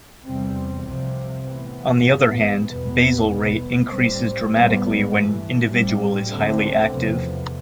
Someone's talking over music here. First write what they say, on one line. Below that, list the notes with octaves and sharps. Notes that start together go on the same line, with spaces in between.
On the other hand, basal rate increases dramatically when an individual is highly active.
E2 C3 G3 C4
C2 C3 F3 C4
A2 E3 B3
G2 E3 B3
E2 B2 B3
C2 B2 B3
A2 G3 C4
A2 G3 B3
G2 E3 A3
A2 G3 C4
D2 D3 A3 C4
E2 C3 F3 B3